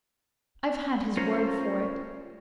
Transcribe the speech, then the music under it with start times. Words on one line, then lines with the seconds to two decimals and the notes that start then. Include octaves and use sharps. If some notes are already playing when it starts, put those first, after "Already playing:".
I've had his word for it.
1.17 C#4 F4 A#4 C5